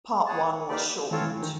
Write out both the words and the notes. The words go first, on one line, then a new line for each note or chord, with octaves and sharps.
Part One was shortened.
G#4 C#5 F#5 A5
A#3 D#4 G4 B4 D5
E3 C4 F4 A4 C#5
E3
E3
D#3